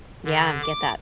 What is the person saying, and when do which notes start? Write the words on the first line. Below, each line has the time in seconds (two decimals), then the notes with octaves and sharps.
Yeah, get that.
0.24 D3
0.63 D6